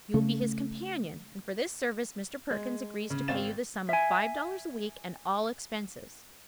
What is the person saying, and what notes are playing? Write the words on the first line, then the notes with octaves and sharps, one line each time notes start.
You will be his companion, and for this service Mr. Perkins agrees to pay you the sum of five dollars a week and all expenses.
C#3 A3
G#3
C#3
G#1 C4 F5 A6 E7
E5 G#5